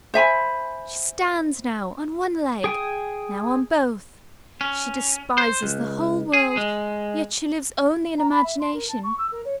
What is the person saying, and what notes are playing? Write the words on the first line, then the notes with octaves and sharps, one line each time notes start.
She stands now on one leg, now on both; she despises the whole world; yet she lives only in imagination.
C5 E5 G#5 B5
G#4 G5 G#5 D#6
C#4
C5
C#2
G#4
G#3
A#5
B5
E5
C6
A#4
A5
C#6
E6
A#4
C#5